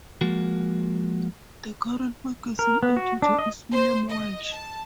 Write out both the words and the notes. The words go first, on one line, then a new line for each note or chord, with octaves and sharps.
The current magazine editor is William Welsh.
F3 G#3 A#3 F#4
A#4
B3
F#4
D4
D#5
C5
D#5
A5